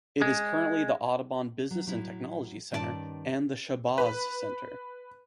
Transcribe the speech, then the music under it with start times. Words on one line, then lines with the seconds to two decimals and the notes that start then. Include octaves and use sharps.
It is currently the Audubon Business and Technology Center and the Shabazz Center.
0.22 G#3
1.70 F#3
1.86 A2 F#3 E4
2.71 G2 D#3 C#4 D#4 D5 A5
3.98 B4